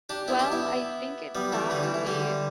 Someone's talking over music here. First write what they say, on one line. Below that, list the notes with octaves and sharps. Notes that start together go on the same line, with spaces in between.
Well, I think it probably i
D4 G4
B3 E4
D4 G4
B3 E4
G3 B3
E3 A3
D3 G3
E3
E3
D3 G3